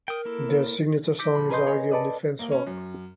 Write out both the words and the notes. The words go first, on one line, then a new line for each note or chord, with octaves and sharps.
Their signature song is arguably Fencewalk.
A#4 G5 D#6
A#3 E4 A4
D6 E6 G6 A#6 B6 C#7
A#1 B5
G#4 A#4 B4 D#5 C6 G6
G#4 C#5
A4 B4 D5 D#5
A#3
C#4
F#2